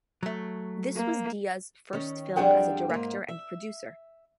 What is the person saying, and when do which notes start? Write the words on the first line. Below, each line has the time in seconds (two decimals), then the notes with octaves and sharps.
This was Deeyah's first film as a director and producer.
0.23 F#3 A3
0.96 A#3
1.93 D#3 C#4
2.36 F2 G3 D4 G#4 F#5 G5
2.89 G#2 A#3
3.28 E5